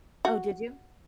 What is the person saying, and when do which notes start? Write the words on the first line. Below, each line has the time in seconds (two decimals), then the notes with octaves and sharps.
Oh, did you?
0.25 F#4